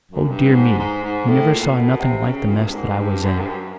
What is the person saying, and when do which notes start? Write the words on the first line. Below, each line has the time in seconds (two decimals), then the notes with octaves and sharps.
Oh, dear me, you never saw nothing like the mess that I was in!
0.12 F#2
0.30 G2
0.54 G#2
0.79 G#2
1.03 G#2
1.27 A2
1.52 A#2
1.76 B2
2.00 C3
2.25 C#3
2.49 A#2
2.65 G2
2.74 G#2
2.98 G2
3.22 F#2
3.39 G2
3.47 F#2